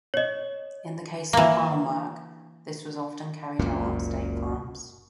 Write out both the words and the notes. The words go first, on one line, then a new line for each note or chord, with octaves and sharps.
In the case of farm work, this was often carried out on state farms.
C#5 D#5
E3 A#3
F#1 C#2 F#2 A#2